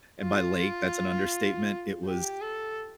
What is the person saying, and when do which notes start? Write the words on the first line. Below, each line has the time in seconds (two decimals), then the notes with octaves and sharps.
And by lake, that's an understatement. It was
0.22 F4
2.05 G4
2.41 A4